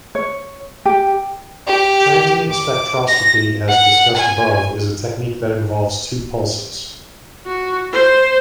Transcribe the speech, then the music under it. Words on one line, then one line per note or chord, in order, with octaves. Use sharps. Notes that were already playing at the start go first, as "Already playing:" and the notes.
Transient spectroscopy as discussed above is a technique that involves two pulses.
C#5
G4
G4
D6
A#6
F#5
G#5
F#4
C5